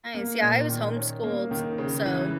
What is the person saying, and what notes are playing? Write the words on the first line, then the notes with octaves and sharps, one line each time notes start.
Nice. Yeah, I was homeschooled. So,
A#3
A#2
D#3
C#4
A#3
D#3
C#3
E3